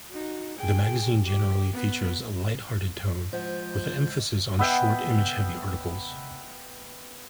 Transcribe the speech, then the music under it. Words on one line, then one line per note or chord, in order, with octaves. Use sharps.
The magazine generally features a light-hearted tone, with an emphasis on short, image-heavy articles.
D#4 F#4
G#4 G5
G4
B3
F3 G#3 C5 F#5 G6
B3 D#5 E5 G5